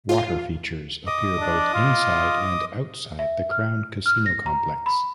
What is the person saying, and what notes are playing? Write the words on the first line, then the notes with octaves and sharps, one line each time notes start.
Water features appear both inside and outside the Crown casino complex.
F4
D#5 D6 D#6
D4
F4
E5
F6
F6
A#6
A#5
B5